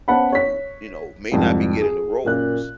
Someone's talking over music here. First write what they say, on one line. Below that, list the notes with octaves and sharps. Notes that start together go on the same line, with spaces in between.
who, you know, may not be getting the roles.
B3 C#4 C5 F#5 A5 B5
C#5 B6
C2 F2 G#2
G#4
F#2 A#2 F#6